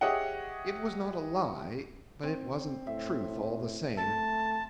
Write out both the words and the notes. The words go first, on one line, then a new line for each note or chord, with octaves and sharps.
It was not a lie--but it wasn't truth all the same.
G4 G#4 C#5 D#5 E5 F#5
C4
A2 E5
A3 A5